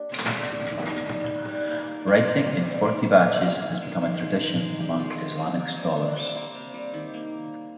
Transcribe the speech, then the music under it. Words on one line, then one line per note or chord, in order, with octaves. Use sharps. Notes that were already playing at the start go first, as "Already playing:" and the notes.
Writing in forty batches has become a tradition among Islamic scholars.
Already playing: A#3 D4 G4
C3 C4
G3
D#3 D4
D#3
G3 D#4
G3
D#3
G3
A#3
A#3
D5
A#3 C5
C3
G3 D#5
G3
A#3 D5
C3 C5
G3 G4
A#3 G#4
D#3 G#4
G#3
D#3 C5
G#3
D#3 A#4
G#3 G#4
G#3 G4
G#3 F4
C3
A#3
C3
G3
C3 D4
G3
A#3 C4
C3
G3
D#3
A#3